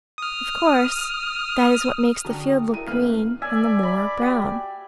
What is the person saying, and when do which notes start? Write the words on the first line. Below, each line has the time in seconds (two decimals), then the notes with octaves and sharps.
Of course: that is what makes the field look green and the moor brown.
0.18 D#6 F6
2.25 D3 D4 F#4 G#4 G5 A5 A#5
2.46 D#6
2.74 E4 A#4 E5 A#5 D#7
2.87 A1 A3 A#3 B4 F6
3.42 D5 E5 G#5
3.83 B5
4.18 F#4 G4